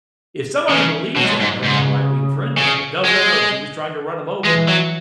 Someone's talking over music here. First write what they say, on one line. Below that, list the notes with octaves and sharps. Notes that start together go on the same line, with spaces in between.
if somebody believes that like my right wing friend does "No, no, no, she was trying to run 'em over."
C#3 E3
B2 F#3
G#2
G#2
G#2 C#3
C#3
G#3
E3 G#3
F#3